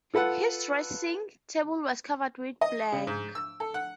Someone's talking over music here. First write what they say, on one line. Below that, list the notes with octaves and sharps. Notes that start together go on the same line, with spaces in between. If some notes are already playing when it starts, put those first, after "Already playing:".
His dressing-table was covered with blacks.
F4 A4 B4 F#5
D#5
C#3
G#2
E6
A4
F#5